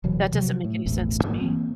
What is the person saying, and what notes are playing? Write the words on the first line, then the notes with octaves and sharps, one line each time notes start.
That doesn't make any sense to me.
D1 B2 E3 F#3
C3 F3 F#3
A2
E1 A1 E2 A2
G#2 A#3
E3 A#3 C4